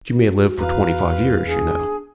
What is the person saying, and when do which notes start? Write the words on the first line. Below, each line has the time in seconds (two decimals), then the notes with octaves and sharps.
"But you may live for twenty-five years, you know."
0.13 F#4
0.58 E2 B4 F5 A#5
1.45 D4 G#4